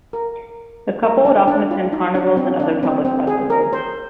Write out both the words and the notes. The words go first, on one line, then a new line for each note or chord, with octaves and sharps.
The couple would often attend carnivals and other public festivals.
A#4
A#4
D4
D4
F4
D#4
D4
C4
D4
C4
C4
G#4
A#4
C5